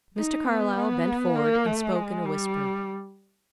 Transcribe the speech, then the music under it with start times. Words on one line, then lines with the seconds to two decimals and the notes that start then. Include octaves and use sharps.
Mr. Carlyle bent forward and spoke in a whisper.
0.18 D#4
0.48 B3
0.77 B3
1.36 A#3
1.66 A3
1.95 G#3
2.25 G3